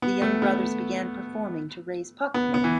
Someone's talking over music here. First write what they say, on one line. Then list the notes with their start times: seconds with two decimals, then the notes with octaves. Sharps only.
The young brothers began performing to raise pocket money.
0.02 B3
0.22 A3
0.42 B3
2.34 B3
2.54 B3
2.64 E3